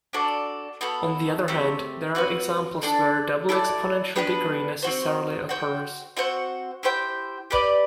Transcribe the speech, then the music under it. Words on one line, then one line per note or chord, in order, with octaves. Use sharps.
On the other hand, there are examples where a double exponential degree necessarily occurs.
D4 F#4 A4 D5
B3 F#4 A4
A3 C4 G4
C4 F#4 B4
D4 A4 D5
E4 A4 D5
B3 D4 G4 B4
C4 F#4 C5
F#4 C5 G5
C4 F#4 C5 F#5
E4 G4 C5 G5
G4 B4 D5